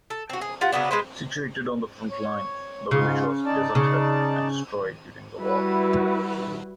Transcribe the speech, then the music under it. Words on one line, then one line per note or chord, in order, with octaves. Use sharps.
Situated on the frontline, the village was deserted and destroyed during the war.
A4
C4 F#4
G#4
F4 G4 F#5
C#3 F#3 B3 D4
G#3 C4 B4 C5
C#5
G#2 C#3 F4
D#4 D5 A5
C#3
G3 E4 F#4 B4